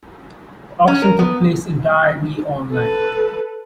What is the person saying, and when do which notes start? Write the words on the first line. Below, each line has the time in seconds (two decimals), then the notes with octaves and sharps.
The auction took place entirely online.
0.88 C#4
1.02 A#4
1.19 B3
2.71 A4 B4